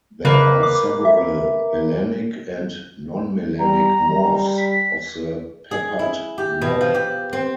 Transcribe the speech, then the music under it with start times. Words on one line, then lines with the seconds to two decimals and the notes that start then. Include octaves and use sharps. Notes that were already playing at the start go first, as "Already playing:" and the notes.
There are several melanic and non-melanic morphs of the peppered moth.
0.25 C#3 A#3 B4
0.63 D6
1.05 E5
3.59 G3 A#5
4.06 G3
4.58 B6
5.71 G#4
5.99 E4
6.38 G4
6.61 B2
6.81 F3
6.94 G4
7.33 C4